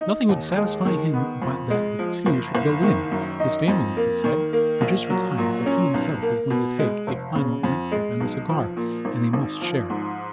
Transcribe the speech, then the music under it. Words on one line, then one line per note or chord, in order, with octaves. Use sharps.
Nothing would satisfy him but that the two should go in; his family, he said, had just retired, but he himself was going to take a final nightcap and a cigar, and they must share it.
D#4
D#2
G#3
D#3
B3
F2
G#3
F3
F#1
F#1
D#3
F#2
D#4
F2
A#3
D#3
A#3
A#1
F#3
A#2
C#4
B1
A#3
B2
G#3
F1
C#3
F2
G#3
B1
F3
A#2
G#1
G#1
F3
G#2